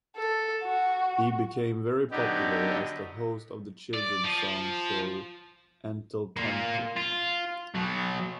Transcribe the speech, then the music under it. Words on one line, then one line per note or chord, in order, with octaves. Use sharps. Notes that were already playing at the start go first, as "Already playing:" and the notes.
He became very popular as the host of a children's songs show "Entel-tentel".
A4
F#4
D3 F#3 B3 D#4 G4
D5
F3
A#3 F4
F4
B2 F#3